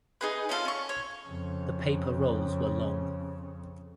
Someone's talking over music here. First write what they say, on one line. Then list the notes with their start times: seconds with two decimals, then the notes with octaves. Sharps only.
The paper rolls were long.
0.21 D#4 G#4 B4
0.49 C#4 F4 A4 F5
0.65 C#4 C#6
0.89 C#5
1.28 F2 C#3